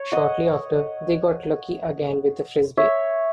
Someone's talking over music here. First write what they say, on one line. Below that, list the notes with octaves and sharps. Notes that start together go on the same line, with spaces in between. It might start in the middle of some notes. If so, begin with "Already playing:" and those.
Shortly after, they got lucky again with the Frisbee.
Already playing: C#5
D#5 F#5
C#5 E5